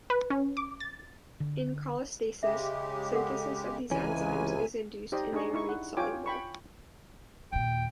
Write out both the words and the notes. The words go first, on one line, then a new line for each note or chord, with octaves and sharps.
In cholestasis, synthesis of these enzymes is induced and they are made soluble.
B4
C#4
D6
A6
D3
C#3 G#3 G4 E5
A4 A#4 F#5
C#2 C3 E3 C#4 G#5
D#4 G4 C5 D5 D#5
D4 D#4 G#4 D#5 C#6
D#4 E4 C#6
F#5
F4 C#5 G5 G#5 D6
G5 B5 C#6
D#2 A#2 G5